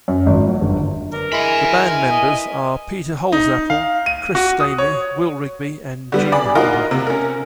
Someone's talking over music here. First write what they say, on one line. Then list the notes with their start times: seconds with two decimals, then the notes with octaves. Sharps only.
The band members are Peter Holsapple, Chris Stamey, Will Rigby and Gene Holder.
0.08 F#2
0.26 G#1
0.48 F#3
0.61 G1
1.13 D4 A#4 B4 A#5
1.32 G#3 E4 G#5 B5 E6
2.11 D#5
3.32 D#4
3.70 F5
4.06 D#7
4.35 F#4
4.60 D#6
4.78 C#5
6.12 D3 G3 B3
6.32 G#4 D5 B5
6.55 D#4 F4 F#4 A#4
6.91 C3
7.07 C#4 A#4